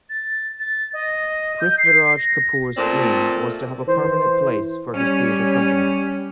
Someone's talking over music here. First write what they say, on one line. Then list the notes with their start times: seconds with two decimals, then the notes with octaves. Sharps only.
Prithviraj Kapoor's dream was to have a permanent place for his theatre company.
0.09 A6
0.59 A6
0.93 D#5
1.60 G6
1.78 C7
2.16 A#6
2.77 A#2 A3 C4 D5
3.87 E3 C5
4.95 G3 C#4